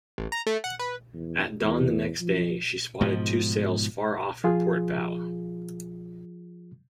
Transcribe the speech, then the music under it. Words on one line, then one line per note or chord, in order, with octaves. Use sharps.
At dawn the next day, she spotted two sails far off her port bow.
A1
A#5
A3
F#5
B4
E2
E2
F3
G#2 B2 F3
F3 F4 G#4